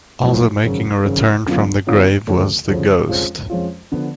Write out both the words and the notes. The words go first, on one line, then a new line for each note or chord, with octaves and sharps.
Also making a return from the grave was the Ghost.
B1 A2 F3
G#1 F#2 C#3
G#1 F#2 C#3
F#2 D3 F#3 B3 F4
F#2 D3 F#3 B3 F4
D2 C#3 F3 A3 C#4
D2 C#3 F3 A3 C#4
F2 F3 G#3 C#4 F4
F2 F3 G#3 C#4 F4
D3 F3 B3